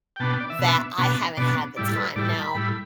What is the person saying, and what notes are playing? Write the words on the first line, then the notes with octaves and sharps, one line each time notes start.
that I haven't had the time. Now
G5
B2 B3 D4 A5
G5
D5
E5
B2 B3 D4
B2 B3 D4
B2 B3 D4 D5
A2 G3 E4 D5
A4
B4
A2 G3 E4 D5
A5
B5
A2 G3 E4